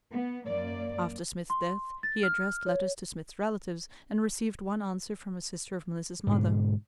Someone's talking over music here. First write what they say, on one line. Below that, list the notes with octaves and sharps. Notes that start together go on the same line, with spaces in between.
After Smith's death he addressed letters to Smith's relatives, and received one answer from a sister of Melissa's mother.
B3
F#2 A#3 D5
C6
A6
F6
C#5
G#2 B2 D3